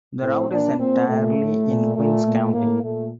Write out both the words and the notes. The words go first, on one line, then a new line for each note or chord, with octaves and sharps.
The route is entirely in Queens County.
A2 C4
A#2 D4
A#2 C4
A#2 A3
A2
A#2
A#2 A3
A#2
A2 A#3
A#2 A3